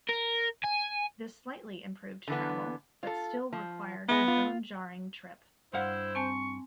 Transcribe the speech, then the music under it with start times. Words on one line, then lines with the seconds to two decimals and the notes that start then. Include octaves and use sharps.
This slightly improved travel, but still required a bone jarring trip.
0.09 A#4
0.64 G#5
2.28 D3 E3 B3
3.03 F4 A4
3.53 F3
4.08 G#3 B3 E4
4.28 F4
5.73 G2 E4 C5 F5 F#5
6.15 C4 G#5 A5 C#6